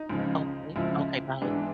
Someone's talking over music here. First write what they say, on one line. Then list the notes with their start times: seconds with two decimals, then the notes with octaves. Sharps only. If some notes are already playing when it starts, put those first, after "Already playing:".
okay, okay, by
Already playing: D#4
0.10 C#2 C#3 F3
0.76 C#2 C#3 F3 E4
1.41 G#2 E3 G#3 B3 D4